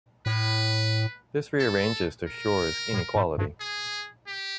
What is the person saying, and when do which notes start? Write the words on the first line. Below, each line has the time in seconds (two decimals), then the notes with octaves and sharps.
This rearranges to Schur's inequality.
0.26 A2 B4
1.59 A4
2.27 A#4
2.93 A2
3.16 G#2
3.38 G2
3.60 G#4
4.27 G4